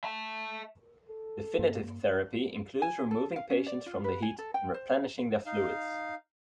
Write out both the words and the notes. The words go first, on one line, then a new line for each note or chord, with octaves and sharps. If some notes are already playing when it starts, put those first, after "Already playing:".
Definitive therapy includes removing patients from the heat and replenishing their fluids.
E5 A5
A4
G2 A#3
G#5
A4
F5
C#4
D5
F4
B4
G#5
A4
G5
C5
D#4 F5